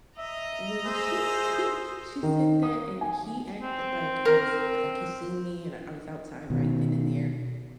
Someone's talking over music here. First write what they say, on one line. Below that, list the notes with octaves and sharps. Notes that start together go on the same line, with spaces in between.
when she sent she sent that and he acted like I was like he seen me and I was outside right then and there
D#5 E5 A#5
G#4 C5 E5
D#3
D#6
G#5
C4
A#4
B2 D#3